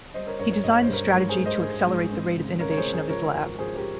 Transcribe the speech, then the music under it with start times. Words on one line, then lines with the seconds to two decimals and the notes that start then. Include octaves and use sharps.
He designed the strategy to accelerate the rate of innovation of his lab.
0.14 G3 C5 D#5
0.27 A#4 C#5
0.39 G2 A#4 C#5
0.51 A#4 C#5
0.64 G2 D#5
0.74 C#5
0.83 C5
0.89 G2 A#4 C#5
1.13 G#2 A#4 C#5
1.29 G#4 C5
1.37 G#2
1.46 C5 D#5
1.62 G#3
1.86 G#2
2.12 C4
2.36 C#3
2.60 C#3 A#4 C#5
2.71 C#5
2.77 G#4 C5
2.85 C#2
2.93 G#4 C5
3.09 F3 A#4 C#5
3.34 G#1
3.59 F3 G#4 C5
3.76 G4 A#4